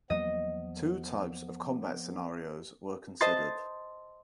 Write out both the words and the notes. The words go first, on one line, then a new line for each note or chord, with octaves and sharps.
Two types of combat scenarios were considered.
E2 F3 F#3 A#3 B3 D#5
C5 D#5 A5 C6 A6